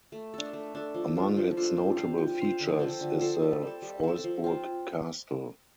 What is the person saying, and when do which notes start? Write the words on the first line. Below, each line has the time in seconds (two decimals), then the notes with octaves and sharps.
Among its notable features is the Freusburg castle.
0.12 A3
0.34 D4 A4
0.53 A3
0.75 D4 A4
0.94 F3
1.16 D4 F4 A4
1.37 F3
1.57 D4 F4 A4
1.77 C4
1.97 F4 C5 F5
2.18 C4
2.39 F4 C5 F5
2.60 D3
2.79 F3 C4 A4
3.01 D3
3.21 F3 C4 A4
3.42 G3
3.62 C4 A4
3.82 G3
4.03 C4 A4
4.24 F3
4.44 C4 F4